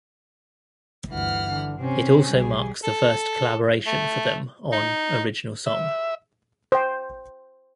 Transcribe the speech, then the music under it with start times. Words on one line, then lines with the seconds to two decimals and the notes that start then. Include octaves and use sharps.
It also marks the first collaboration for them on original song.
1.10 G1 D2 E3 F#5 F6
1.47 D3
1.81 C3 C4 C#4
2.33 B1 G3 G#4
2.83 A4
3.86 A3
4.72 D#4
5.66 E5
6.72 C5 G5